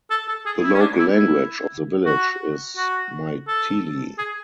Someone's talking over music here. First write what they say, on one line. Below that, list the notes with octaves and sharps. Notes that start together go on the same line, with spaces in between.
The local language of the village is Maithili.
A4
A4
G#4
E4
C#4
D4
E4
E4
F#4
F#4
A4
G#4